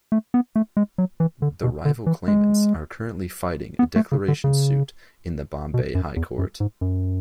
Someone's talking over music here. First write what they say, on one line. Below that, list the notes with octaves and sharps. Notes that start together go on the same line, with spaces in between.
The rival claimants are currently fighting a declaration suit in the Bombay High Court.
A3
B3
A3
G#3
F#3
E3
D3
B2
D3
E3
G#3
B3
A3
C#3
D3
C#3
B2
F#2
E2
F#2
G#2
F#2